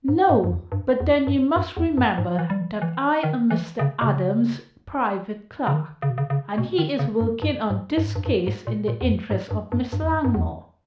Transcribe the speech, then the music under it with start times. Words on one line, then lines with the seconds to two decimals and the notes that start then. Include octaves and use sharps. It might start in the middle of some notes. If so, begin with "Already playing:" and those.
"No, but then you must remember that I am Mr. Adams' private clerk, and he is working on this case in the interests of Miss Langmore."
0.08 G#2
0.29 G#2
0.44 G2
0.51 E2
0.72 G2
1.00 E2
1.27 G2
1.56 G2
1.77 E2
1.97 G2
2.18 G#2
2.39 E3
2.50 G3
2.61 E3
2.82 E3
3.23 D#3
3.50 E3
3.79 C#3
4.01 B2
4.06 C#3
5.67 C#3
5.74 D#3
6.02 C#3
6.10 B2
6.18 C#3
6.30 C#3
6.58 B2
6.78 D#3
6.99 C#3
7.20 G2
7.42 G2
7.70 G#2
7.97 G2
8.06 G#2
8.16 G2
8.26 G2
8.47 G#2
8.67 A#2
8.88 A#2
9.01 E2
9.10 G2
9.30 G#2
9.51 G2
9.72 G2
9.93 G2
10.03 E2
10.12 G2
10.25 G2
10.34 E2